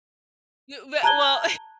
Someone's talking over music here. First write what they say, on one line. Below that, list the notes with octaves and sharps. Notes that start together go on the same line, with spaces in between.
you we well
A5 A#5 F#6 G#6 G7